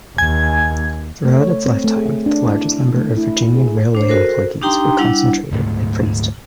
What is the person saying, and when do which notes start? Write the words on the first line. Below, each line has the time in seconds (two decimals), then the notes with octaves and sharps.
Throughout its lifetime, the largest number of Virginian Railway employees were concentrated at Princeton.
0.18 D#2 G#5 G#6
1.25 A3
1.41 C#5
1.66 C4
1.84 A3
1.97 G#4
2.26 D4
2.47 E4
2.96 A3
3.17 E4
3.56 G#4
3.95 D4 C5 C#5
4.09 F#4 A4 A#4 C5
4.62 D4 D#4 G4 G5 A#5 C6
4.98 G3 D4 E4 F#5
5.52 D2 G#2 A3